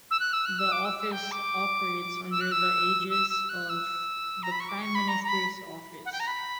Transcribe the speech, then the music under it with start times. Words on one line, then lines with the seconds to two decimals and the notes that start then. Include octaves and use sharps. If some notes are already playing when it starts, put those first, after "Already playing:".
The office operates under the aegis of the Prime Minister's Office.
0.10 E6
0.19 F#6
0.32 E6
0.45 F#6
0.58 E6
0.71 D6
0.84 E6
0.98 E6
1.11 G5
1.31 D6
2.30 E6
2.40 F#6
2.51 E6
3.10 E6
3.29 E6
3.49 F#6
3.69 E6
4.42 A#5
4.51 B5
4.60 C#6
4.68 D6
4.81 C#6
4.94 B5
5.08 A#5
5.23 A#5
5.28 B5
6.05 F#5
6.12 G5
6.19 A#5
6.27 B5